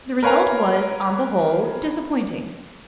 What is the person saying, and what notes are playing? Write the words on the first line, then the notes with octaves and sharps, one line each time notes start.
The result was, on the whole, disappointing.
A#4 B4 C#5 F5 G#5 A#5